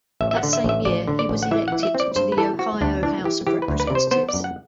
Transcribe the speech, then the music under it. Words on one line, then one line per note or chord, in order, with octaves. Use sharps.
That same year, he was elected to the Ohio House of Representatives.
A1 E5
E5
F#5
D3
E5
A1 E5
A1 D5
D3
D5
A1
F#5
E3 E5
E3 F#5
E5
C4
D5
G2 C5
B4
E3 A4
C4 F#4
D2 D4
E3 D4
E3 G4
E3 G4
B4
D2
B4
C3 D5
C5
B3 C5
D5
F#2
F#5